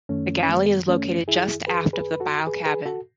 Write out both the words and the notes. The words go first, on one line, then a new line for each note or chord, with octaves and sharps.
The galley is located just aft of the bow cabin.
F#2 D#3 A3 C#4
C#4
G#3 B3
A3 C#4
E4 G#4
G#4 B4
G#4 B4
B4
F#4 A4
G#4 B4
G#4 B4
F#4 A4